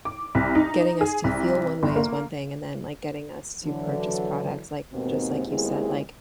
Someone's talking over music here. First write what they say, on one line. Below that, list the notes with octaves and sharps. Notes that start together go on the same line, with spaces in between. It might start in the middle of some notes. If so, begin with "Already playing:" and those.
getting us to feel one way is one thing, and then, like, getting us to purchase products, like just like you said, like
D6
C2
D#4
G#4
C2
G1
A#3
D3 E3 F#3
D#2 G#2 B2 A#3 C4
D#2 G#3 B3 C4 E4 G#4